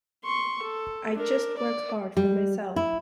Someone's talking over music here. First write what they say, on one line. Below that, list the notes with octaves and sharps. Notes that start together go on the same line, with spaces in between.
I just work hard for myself.
C6 C#6
A4
D4 A#4
D5
G3
E4